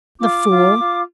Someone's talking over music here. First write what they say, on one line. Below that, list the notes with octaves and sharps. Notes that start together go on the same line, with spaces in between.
The fool!
F4 D6
F4
F4